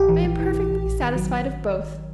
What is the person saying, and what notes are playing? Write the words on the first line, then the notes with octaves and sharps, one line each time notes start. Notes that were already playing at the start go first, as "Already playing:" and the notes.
"I am perfectly satisfied of both."
Already playing: A#1 G4
E3
E3
E3
E3
A#1
A1
D#3
F#3